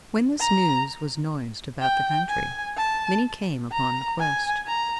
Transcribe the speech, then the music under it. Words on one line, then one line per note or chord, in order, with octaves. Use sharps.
When this news was noised about the country, many came upon the quest.
A#5
G5
G#5
A5
A#5
G#5
A#5